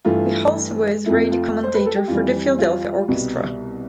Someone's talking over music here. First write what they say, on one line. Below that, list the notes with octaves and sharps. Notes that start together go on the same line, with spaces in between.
He was also a radio commentator for the Philadelphia Orchestra.
G2 E3 A3 F4
F2 C3 F3 A3 E4
F4
C5
B4
A4
G4
F2 E3 G3 F4
F4
C2 B2 G3